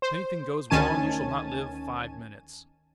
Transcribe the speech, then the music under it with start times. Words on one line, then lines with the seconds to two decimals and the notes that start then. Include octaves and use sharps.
If anything goes wrong you shall not live five minutes.
0.02 C5
0.70 D2 D#3 C#4 G#5 A5 D#7